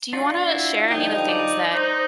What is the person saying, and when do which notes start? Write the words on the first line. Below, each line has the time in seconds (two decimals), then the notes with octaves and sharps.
Do you wanna share any of the things that
0.13 D4 F4 F#4
0.49 E4
0.91 D3 F3 G3 D#4 G5
1.29 D5
1.74 D#4 C5